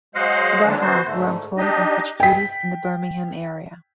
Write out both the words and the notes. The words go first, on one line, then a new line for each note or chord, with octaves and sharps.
About half were employed on such duties in the Birmingham area.
F#3 G#3 C5 D#5 F5 F#5
D#2 D3 E3 F#3 D4
B3 F#4 C5
G#2 D3 A3
D4 D#4 G4 D#5
G5 B6